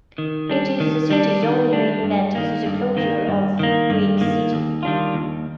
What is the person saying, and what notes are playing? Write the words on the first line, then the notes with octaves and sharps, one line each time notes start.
It is the city's only main plant after the closure of Buick City.
D#3
G3 D4
D#3
G3 D4
D#3
G3 D4
G2
D#3 A#3
G2
D#3 A#3
G2
D#3 A#3
G2
D#3 A#3
D#2
D#3 G3 D4 F4
D#2